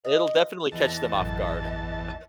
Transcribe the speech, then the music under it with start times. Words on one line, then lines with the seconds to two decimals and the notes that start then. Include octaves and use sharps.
It'll definitely catch them off guard, uh
0.05 D#5
0.72 E2 D#5 A5
1.14 A1 F#2